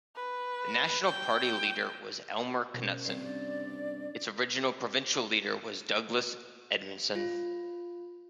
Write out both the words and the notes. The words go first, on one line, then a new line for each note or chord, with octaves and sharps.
The national party leader was Elmer Knutson; its original provincial leader was Douglas Edmondson.
B4
G5
B2 C#4 A#4 C5
G2 C3 C7
C#4 D4 D5
F4